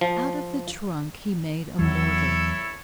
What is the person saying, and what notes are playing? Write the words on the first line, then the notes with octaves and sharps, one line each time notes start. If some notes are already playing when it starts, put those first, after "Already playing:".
Out of the trunk he made a mortar.
F3
E2 F#3 E4 A4 C#5